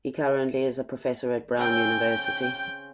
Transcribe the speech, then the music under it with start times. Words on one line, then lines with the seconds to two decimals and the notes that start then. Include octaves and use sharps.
He currently is a professor at Brown University.
1.58 C#3 C4 G5